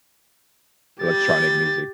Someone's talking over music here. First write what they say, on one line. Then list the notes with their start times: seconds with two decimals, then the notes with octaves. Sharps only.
electronic music.
1.02 G4 A6